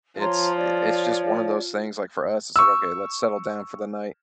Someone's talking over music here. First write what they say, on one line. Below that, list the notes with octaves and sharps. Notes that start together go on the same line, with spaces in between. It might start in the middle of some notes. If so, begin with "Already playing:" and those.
it's i it's just one of those things, like for us, it's like, "Okay, let's settle down for the night.
F3 C#5 A#5 C6
C#5 D5
C#6 E6